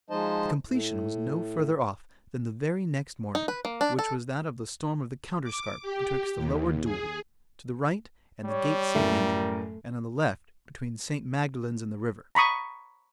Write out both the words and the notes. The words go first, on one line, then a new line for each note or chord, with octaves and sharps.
The completion was no further off, than the very next morning; which was that of the storm of the counterscarp betwixt the Lower Deule, to the right, and the gate St. Andrew,--and on the left, between St. Magdalen's and the river.
F3 G#3 D#4 C5 D#5 A5
A2
D#4
B4
A#3
D4
A4
D6
G4
D#2
G#4
G3 C#5
F#2 A2 A3 A#4
A#5 B5 C#6 D#6